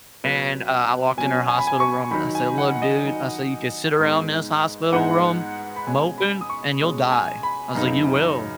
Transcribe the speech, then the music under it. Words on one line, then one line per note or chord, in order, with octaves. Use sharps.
and I I walked in her hospital room, and I said, "Look, dude." I said, "You could sit around in this hospital room moping, and you'll die." I was like, "You will."
B2 F#3 C#4 B4
B2 F#3 C#4 G#5
G#5
B5
G#5
C#6
D#3 F#3 D#4 B5
G#5
F#5
F#5
D#5
D#3 F#3 D#4
G#2 G#3 B3 D#4
G#2 G#3 B3 D#4 F#5
B5
B2 G#3 C#4 G#5
B5
D#6
C#6
B2 G#3 C#4
G#5
B5
F#2 C#3 B3 D#4